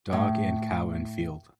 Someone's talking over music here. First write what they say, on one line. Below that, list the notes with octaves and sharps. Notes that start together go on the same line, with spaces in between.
Dog and cow in field.
A2